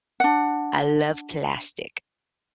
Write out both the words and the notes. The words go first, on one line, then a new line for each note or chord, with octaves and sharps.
I love plastic.
D4 F#5